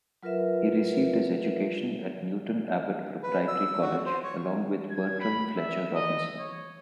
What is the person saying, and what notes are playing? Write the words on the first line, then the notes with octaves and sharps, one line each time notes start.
He received his education at Newton Abbot Proprietary College along with Bertram Fletcher Robinson.
F#3 F4 A#4 B4 E5
B4
E6
F#4
C5
C#5
G#6
B5
E5
D#5
C#5